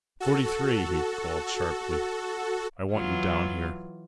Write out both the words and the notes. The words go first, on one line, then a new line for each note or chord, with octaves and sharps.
"Forty-three," he called sharply, "I want you down here."
F#4 A4
E3 F#3 F4